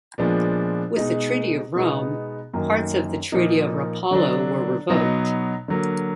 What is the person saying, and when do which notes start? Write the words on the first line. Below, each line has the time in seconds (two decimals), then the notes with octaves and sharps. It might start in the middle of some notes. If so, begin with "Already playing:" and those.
With the Treaty of Rome, parts of the Treaty of Rapallo were revoked.
0.18 A#2 F3 G#3 B3 D4
0.97 B2 G#3 D#4
1.75 B2 G#3 B3 D#4
2.53 F#2 D#3 A#3 D#4
3.32 A#2 F3 A#3 D#4
4.11 D3 F#3 D4
4.89 B2 F#3 B3 D#4
5.68 D3 F#3 A#3